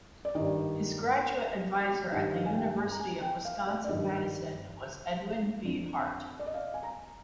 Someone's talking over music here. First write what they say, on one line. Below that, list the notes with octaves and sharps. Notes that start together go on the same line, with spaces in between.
His graduate advisor at the University of Wisconsin-Madison, was Edwin B. Hart.
D5
G2 D#3 D#5
G2 D#3 D#5
F5
G#5
G5
G#5
A#5
G#5
G5
F5
D5
D5
G2 D#3 D#5
F2 D3
D5
D#5
F5
G#5
A#5